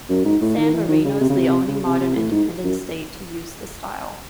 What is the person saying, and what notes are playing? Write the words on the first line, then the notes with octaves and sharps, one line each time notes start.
San Marino is the only modern independent state to use the style.
F#2
G#2
A2
D#3
E3
D#3
C#3
C3
C#3
C3
C#3
C3
C3
A2
G#2
F#2